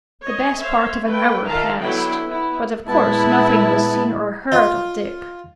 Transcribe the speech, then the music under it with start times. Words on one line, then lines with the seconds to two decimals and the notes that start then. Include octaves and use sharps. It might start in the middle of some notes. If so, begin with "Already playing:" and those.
The best part of an hour passed, but of course nothing was seen or heard of Dick.
0.24 C#5 D#5
0.59 C5 C#5 E5 F5
1.04 A3 B4 G5
1.45 D#3 F4 E5 F5 A5 A#5
1.81 D3 F#3 B3 E4 G5 B5
2.26 B3 E4
2.88 A#2 G#3 B3 E4 A5
4.52 F4 D#5 C6